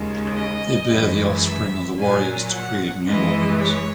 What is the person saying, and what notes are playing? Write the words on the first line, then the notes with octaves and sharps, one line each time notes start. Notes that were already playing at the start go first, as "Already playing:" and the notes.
They bear the offspring of the warriors to create new warriors.
Already playing: D#2 C#3 G#3
D#5
F#2 E3 G#3
E5
A#2 F#3 G#5
F#5
F#2 E3 G#3 D#5
C#5